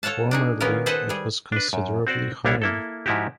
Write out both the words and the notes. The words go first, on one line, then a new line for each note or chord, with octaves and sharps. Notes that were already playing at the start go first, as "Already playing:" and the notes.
Formerly it was considerably higher.
A4 C#5 F5 F#5 A5
D4 D#4 G#4
A#2 D#3 A#3 B3 C#4 A#4
G#4 A4 B4 C5 D#5 F#5
G3 G#4
D4 B4
F#2
C4 F#4 C5 D5
C2 G3 D4 E4 C#5
A#3 E4 A4
G#2 F3 E4 F#4 G4